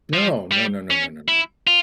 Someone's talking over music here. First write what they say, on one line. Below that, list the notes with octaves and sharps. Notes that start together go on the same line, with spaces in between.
No, no, no, no, no, no, no, no.
F3
G3
C#4
E4
F4